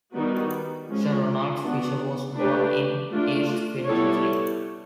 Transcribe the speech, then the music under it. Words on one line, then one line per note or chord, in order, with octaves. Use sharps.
Sir Ronald Fisher was born in East Finchley.
D#3 G3 B3 D#4 F#4
F3 G#3 C#4
B3 D4 F#4
A3 D4 G4 B4
A3 D4 F4
G3 B3 E4 A4 C#5